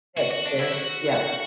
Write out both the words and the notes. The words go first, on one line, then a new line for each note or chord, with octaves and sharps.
Next year, yep.
F#4
F#4
D4
E4
F#4